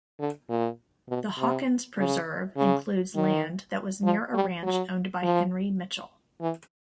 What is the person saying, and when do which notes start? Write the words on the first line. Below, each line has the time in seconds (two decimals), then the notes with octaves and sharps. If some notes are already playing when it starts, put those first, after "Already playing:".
The Hawkins Preserve includes land that was near a ranch owned by Henry Mitchell.
0.20 D3
0.50 A#2
1.09 B2
1.39 C3
1.98 C#3
2.57 C#3
3.15 D#3
4.04 F3
4.34 G3
4.63 F#3
5.23 F3
6.41 E3